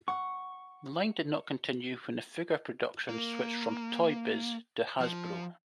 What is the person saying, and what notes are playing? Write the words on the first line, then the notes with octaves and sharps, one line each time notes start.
The line did not continue when figure production switched from Toy Biz to Hasbro.
F#5 C#6
A#3
F3